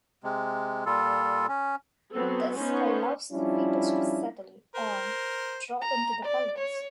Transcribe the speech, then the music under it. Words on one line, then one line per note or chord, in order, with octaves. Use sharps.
This allows the fetus to settle or "drop" into the pelvis.
C3 G#3
A#2 G3 F4 A4
C#4
F#3 B3 C4 A4
B3 C#4 D#4 C5
F3 G3 C#4 D4 E4 F4
A#4 C5
A#5
D5
C#5